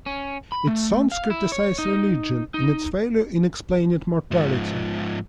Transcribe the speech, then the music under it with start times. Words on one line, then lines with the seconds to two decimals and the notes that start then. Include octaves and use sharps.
Its songs criticise religion and its failure in explaining mortality.
0.06 C#4
0.52 B5
0.67 A3
1.12 F5
1.30 E4
1.52 C#5
1.79 D#4
2.54 D#4
4.31 G#2 F3